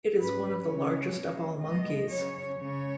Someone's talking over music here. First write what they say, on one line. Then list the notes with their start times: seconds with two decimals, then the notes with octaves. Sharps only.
It is one of the largest of all monkeys.
0.18 G#2 F#3 C#4 B4
0.67 C#3 G#3 C#4 C#5
1.14 B2 A#3 C#4
1.62 B2 G#3 B3 D#5
2.10 C#3 F#3 C#4 C#5
2.58 C#3 G#3 C#4 C#5